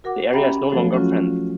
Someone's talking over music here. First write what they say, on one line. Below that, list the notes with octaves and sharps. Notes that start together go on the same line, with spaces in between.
The area is no longer fenced.
F#4 A#4 F#5 D6
C#4 G4 E5 G5 A#5 B5
F3 F#3 A3 F#4 A4 C#5
C#4 F4 F#4